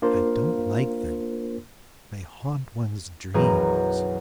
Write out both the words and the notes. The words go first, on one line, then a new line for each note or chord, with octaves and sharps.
I don't like them; they haunt one's dreams.
A#3 D4 F4 A#4 C5
B1 F#2 E3 G#4 A#5 D#7